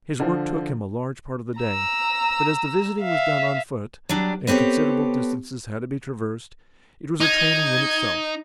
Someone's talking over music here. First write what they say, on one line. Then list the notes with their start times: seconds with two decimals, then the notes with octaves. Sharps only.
His work took him a large part of the day, but as the visiting was done on foot, and considerable distances had to be traversed, it was a training in itself.
0.20 D3 F3
1.60 A#5 E6
3.00 E5 F5
4.09 F#3 G3 D4
4.47 B3 C4 G4 A4 C#5
7.20 D#4 G#6